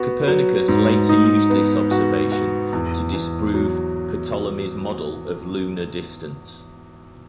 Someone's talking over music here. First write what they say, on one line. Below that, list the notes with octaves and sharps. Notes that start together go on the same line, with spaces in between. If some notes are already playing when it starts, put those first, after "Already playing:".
Copernicus later used this observation to disprove Ptolemy's model of lunar distance.
Already playing: B3 F#4
F#3
G#2
D#4
B3
F#4
F#4
E2
E2
F#3